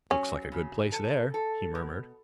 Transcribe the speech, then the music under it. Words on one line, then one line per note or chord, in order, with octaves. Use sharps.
"Looks like a good place there," he murmured.
F#3 C#4
C#3
A4
A4
B2